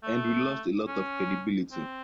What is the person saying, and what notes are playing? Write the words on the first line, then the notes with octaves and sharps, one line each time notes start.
And we lost a lot of credibility.
A3
C#4
C4